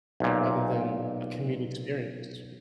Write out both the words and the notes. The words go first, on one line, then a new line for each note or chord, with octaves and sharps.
rather than a community experience.
B1 A#2